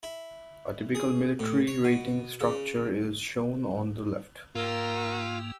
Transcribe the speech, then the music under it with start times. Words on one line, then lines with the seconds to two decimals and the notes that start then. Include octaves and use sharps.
A typical military rating structure is shown on the left.
0.03 E4
0.95 G#4
1.39 A2
1.67 C#5
1.84 B2
2.41 C#3
4.55 G#2 A#3 F4 G4 A#4 E6